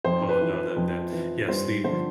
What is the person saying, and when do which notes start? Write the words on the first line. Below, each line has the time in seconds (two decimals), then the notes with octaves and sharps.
Well, no, then then Yes, the
0.05 F2 C5
0.29 B4
0.41 E3
0.53 B4
0.76 F2
1.12 E3
1.48 G2 C5
1.84 D3 F3 C5